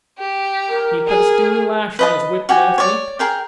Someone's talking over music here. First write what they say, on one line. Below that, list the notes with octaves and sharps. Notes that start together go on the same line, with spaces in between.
He put a stinging lash on his whip last week.
G4
A#4
G#4
B4 D#5 A5
F#4 G4 G#5
C#5 D5
G#4 A#4 G5